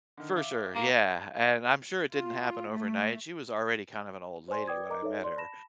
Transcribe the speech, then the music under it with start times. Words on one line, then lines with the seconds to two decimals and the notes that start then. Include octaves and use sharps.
For sure, yeah, and I'm sure it didn't happen overnight, she was already kind of an old lady when I met her,
0.17 D3 D#3
0.36 E5 F5 D6
0.75 A#2 A#3
2.13 F4
2.71 A3
4.48 C5 D5 G#5 C6
4.67 B4 D5 G5 D6 D#6 G#6
4.89 A#4 D#5 A#5 D6
5.02 D#4 A4 B4 C#5 D5 E5
5.24 D5 C6
5.37 A5 B5 A#6 E7